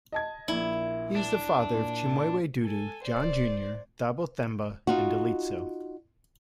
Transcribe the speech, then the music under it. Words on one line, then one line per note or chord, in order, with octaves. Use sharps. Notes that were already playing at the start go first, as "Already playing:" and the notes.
He is the father of Chimwemwe Dudu, John Junior, Thabo Themba, and Dalitso.
D#5 A5 G#6
A#1 A#2 E4
D4
A#2
A4 G#5
C5 D5
D#4 F4 F#4